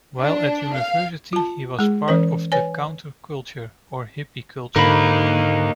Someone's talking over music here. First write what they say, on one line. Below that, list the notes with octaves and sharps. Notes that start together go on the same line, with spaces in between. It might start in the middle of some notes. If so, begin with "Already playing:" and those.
While at university he was part of the counter culture, or hippie culture.
D4
F5
F4 A5
G#3 G#4
E3 C#4 A#4 C5
B4 C#5 G#5
G#2 D3 A#3 D#4 A#4 B5